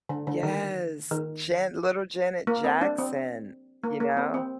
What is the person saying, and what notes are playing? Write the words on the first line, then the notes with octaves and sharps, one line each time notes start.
Yes. Jan little Janet Jackson, you know?
D3
D3
D#3
D#3
A#3
C4
D4
C4
A#3
A#3
C4
C4